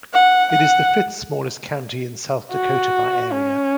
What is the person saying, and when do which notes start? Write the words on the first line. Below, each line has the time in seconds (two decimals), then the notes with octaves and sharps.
It is the fifth-smallest county in South Dakota by area.
0.13 F#5
0.52 F#5
2.52 F#4
3.32 C#4